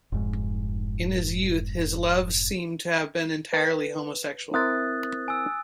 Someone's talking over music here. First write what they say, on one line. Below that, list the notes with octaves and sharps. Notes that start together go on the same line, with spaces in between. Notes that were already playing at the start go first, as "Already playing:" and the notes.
In his youth his loves seem to have been entirely homosexual.
F1 G#2
B4 G5 A5
C4 E4 A#4 D#6 F#6 A6
G#5 E6